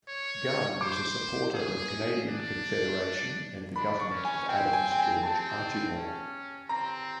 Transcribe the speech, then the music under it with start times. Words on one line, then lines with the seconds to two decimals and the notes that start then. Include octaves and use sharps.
Gunn was a supporter of Canadian Confederation and the Government of Adams George Archibald.
0.08 C#5
0.81 C5 D6
1.55 G#4
2.29 D4
3.76 D4 B5
3.99 C#6
4.12 C#4
4.25 G#5
4.49 C4 G5
4.73 G#5
4.92 G5
4.99 G#5
5.23 C4 A5
5.96 C#4
6.69 C4 A#5